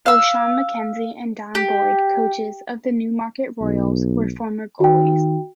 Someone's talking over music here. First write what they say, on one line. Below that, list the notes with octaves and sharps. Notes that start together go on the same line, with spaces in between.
Both Shawn Mackenzie and Don Boyd, coaches of the Newmarket Royals were former goalies.
F5 E6
G4
B1
D#3 F#4 G5